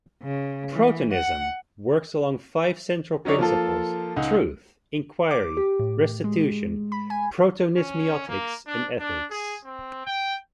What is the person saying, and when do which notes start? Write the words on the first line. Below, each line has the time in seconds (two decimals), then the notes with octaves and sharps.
Protonism works along five central principles: truth, inquiry, restitution, protonismiotics, and ethics.
0.22 C#3
0.73 E3
1.13 F#5
3.25 F#3 C#4 D#4 C#5 D5
3.38 F3 A#3 F4 A4
4.16 C#2 D#4 F#5
5.31 D6
5.57 G4
5.79 A2
6.24 G#3
6.92 B5
7.10 G#5
7.77 C#4
8.28 A#3
8.66 D4
8.99 D4
9.30 G#4
9.64 C4
10.06 G5